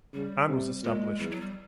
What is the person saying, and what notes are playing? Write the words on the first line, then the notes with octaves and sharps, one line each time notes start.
Anne was established.
C#3 G3
C3
A#2 G#3
E2 G3
F#3
G3